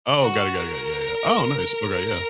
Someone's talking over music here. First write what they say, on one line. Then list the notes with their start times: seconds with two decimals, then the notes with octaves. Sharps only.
Oh, got it, got it, yeah, yeah. Oh nice, okay, yeah.
0.21 F#4
0.55 A#4
1.92 A#4